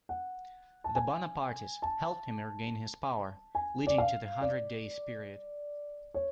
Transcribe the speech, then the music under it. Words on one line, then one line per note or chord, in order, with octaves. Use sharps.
The Bonapartists helped him regain his power, leading to the Hundred Days period.
F#5
A5
G#5
A5
G#5
D5
F5
D5
C#5